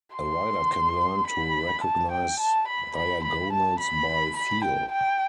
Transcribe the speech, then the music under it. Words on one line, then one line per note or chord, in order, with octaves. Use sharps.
A rider can learn to recognize diagonals by feel.
C6
B5
A5
G5
A5
B5
B5
B5
A5
B5
B5
G5
G5